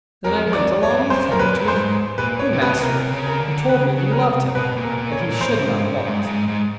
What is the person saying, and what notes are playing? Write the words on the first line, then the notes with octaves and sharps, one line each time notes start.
Then I went along with him to his new master who told me he loved him, and he should not want.
F2 A#4
F2
D5
C#5
G2
G2 C5
F#2 A#4
B4
G2
C5
G#2
A#2 B4
A2 C#5
C3
B2 B4
C#3
C3 A#4
C#3
A#4
D3
C#3 B4
C#3
A#4
C3
B2 B4
A#2
A#4
A#2
C#5
A2
A#2
A2 C5
G#2
G2
G#2
G2
G#2
G#2